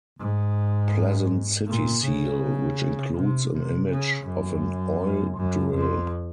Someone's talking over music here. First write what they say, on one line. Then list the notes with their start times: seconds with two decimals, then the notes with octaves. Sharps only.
Pleasant city seal, which includes an image of an oil drill.
0.19 G#2
1.67 A#2
2.04 C#3
3.15 C3
3.52 C3
3.90 C#3
4.26 F#2
5.38 F#2
5.75 F2